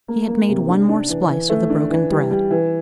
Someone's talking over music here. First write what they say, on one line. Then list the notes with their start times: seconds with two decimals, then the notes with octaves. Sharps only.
He had made one more splice of the broken thread.
0.08 A#3
0.28 A#3
0.49 C3
0.69 D4
0.89 D4
1.09 E3
1.29 E3
1.49 A3
1.70 D4
1.90 E3
2.10 G3
2.31 G3
2.51 E3